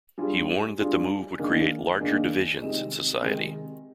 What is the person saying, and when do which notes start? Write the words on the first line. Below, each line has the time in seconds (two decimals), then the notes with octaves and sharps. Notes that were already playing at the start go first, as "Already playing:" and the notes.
He warned that the move would create "larger divisions" in society.
0.18 G3 D4 F4 G#4
0.79 G3 D4 F4 G#4
1.39 D#3 A#3 D4 G#4
2.00 D#3 A#3 D4 G#4
2.62 C3 D#3 G#3 D#4
3.22 C3 D#3 G#3 D#4